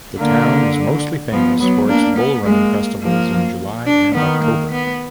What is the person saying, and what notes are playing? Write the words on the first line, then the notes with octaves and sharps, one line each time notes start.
The town is mostly famous for its bull-running festivals in July and October.
D3 A#3
F3 B3
F#3 B3
A#3 D4
B3
G#3 A#3
F3 A#3
D4
D#3 B3
A#3
B3